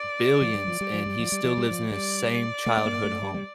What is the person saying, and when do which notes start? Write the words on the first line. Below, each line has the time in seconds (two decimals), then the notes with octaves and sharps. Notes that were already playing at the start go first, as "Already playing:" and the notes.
billions, and he still lives in his same childhood home.
Already playing: D5
0.42 F3
0.55 G3
0.68 F3
0.81 G3
0.94 F3
1.06 G3
1.19 F3
1.32 G3
1.45 F3
1.57 G3
1.71 F3
1.92 G3 D5
2.66 A3
2.77 A3
2.85 A#3
3.04 A3
3.23 G3
3.34 G3